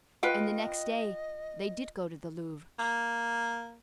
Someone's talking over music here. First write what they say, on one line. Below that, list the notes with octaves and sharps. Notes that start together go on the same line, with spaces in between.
And the next day they did go to the Louvre.
F4 B4 D#5 G5
A#3